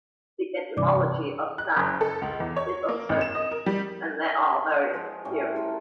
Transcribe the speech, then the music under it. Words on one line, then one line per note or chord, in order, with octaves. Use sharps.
The etymology of "dap" is uncertain, and there are various theories.
G2 C3 E3 D5 D6
F#6
F#1
A4
C#2
E2
C#5
A#3
G#1
E7
D#5
A#4
G3
F3
F3 G#3 F4 F#5
A2 G3 C#4 G#4
E4 F4 A4 A#4